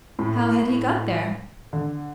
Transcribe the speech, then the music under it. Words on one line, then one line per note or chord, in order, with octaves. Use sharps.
How had he got there?
A2
D3